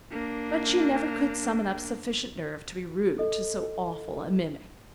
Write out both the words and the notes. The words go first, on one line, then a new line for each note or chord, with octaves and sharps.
But she never could summon up sufficient nerve to be rude to so awful a mimic. . . .
A#3 D4
A4 D#5